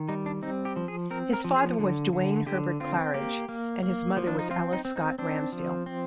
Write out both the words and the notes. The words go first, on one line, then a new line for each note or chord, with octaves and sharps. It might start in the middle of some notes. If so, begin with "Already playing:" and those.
His father was Duane Herbert Clarridge, and his mother was Alice Scott Ramsdale.
Already playing: D#3
G3 D#4
D4
C4 D#4
G4
F3
G#4
C4 A#4
A#4
F3
G#4
D3
D3
D3 G4
C4 F4
A#3 G4
A#3
A#3
F3
D4
D#4
C4 F4
D#4
C4
D#4
C4 D4
F3
C4